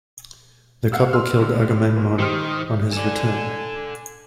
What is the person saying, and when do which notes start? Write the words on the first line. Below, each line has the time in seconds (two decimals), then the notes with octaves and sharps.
The couple killed Agamemnon on his return.
0.92 F5 F#5 E6
1.13 C6 E6 F6
1.39 A2 D3
1.95 F#1 A#2
2.19 D#3 G4 C5 F6
2.93 A4 D5 G#5